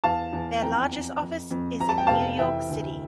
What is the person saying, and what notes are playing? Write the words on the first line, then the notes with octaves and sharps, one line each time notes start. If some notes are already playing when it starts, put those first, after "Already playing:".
Their largest office is in New York City.
E2 F5 A5
E2
F2 G5 A#5
F2
F2
F2
F2 A#5
A5
G5
F1 F5 A5
E3 E5 G5
D2